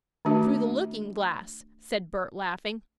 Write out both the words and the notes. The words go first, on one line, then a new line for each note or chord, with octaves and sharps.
"Through the looking glass!" said Bert, laughing.
D#3 A3 D4 F#4